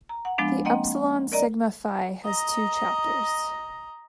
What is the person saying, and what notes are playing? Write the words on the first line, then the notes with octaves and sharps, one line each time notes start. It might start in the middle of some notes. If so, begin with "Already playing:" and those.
The Upsilon Sigma Phi has two chapters.
A#5
F#5
F3 G#3 B3 D4
A#3 C4 D#5 F#5 G5
A#4 D5 D#5 A#5
D#5 A#5